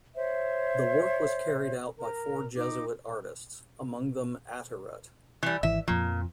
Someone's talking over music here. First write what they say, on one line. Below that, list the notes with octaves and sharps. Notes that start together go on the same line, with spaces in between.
The work was carried out by four Jesuit artists, among them Attiret.
C5 C#5 E5
A#4 A#5
D#4 D6
E3 G3
G#1 E3 E5
F2 A#2 F3